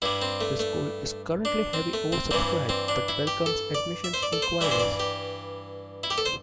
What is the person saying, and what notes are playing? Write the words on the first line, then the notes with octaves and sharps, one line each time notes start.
The school is currently heavily oversubscribed, but welcomes admissions inquiries.
G2 G3 E4
C4
A3
A3
D4
C4
A3
C4
G2 E3 G3 C4
C4
D4
E4
G4
A4
D5
E5
C5
D5
A4
C5
G2 E3 G3 E5
C5
D5
G4
E4
G4
A4
C5